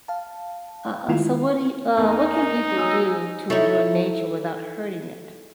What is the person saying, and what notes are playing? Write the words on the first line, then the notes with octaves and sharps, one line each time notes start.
Uh uh, so what do you uh, what can people do to enjoy nature without hurting it?
F5 A5
D#3 G#3 E4 F4
E2 D#4 A#4 G#5
F#3 G#5 D#6 E6
D#4 E4 A4 C#5